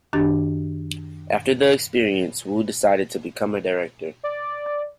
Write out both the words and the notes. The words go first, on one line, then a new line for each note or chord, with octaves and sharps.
After the experience, Wu decided to become a director.
F#2 D#3 D4 G4 A6
D5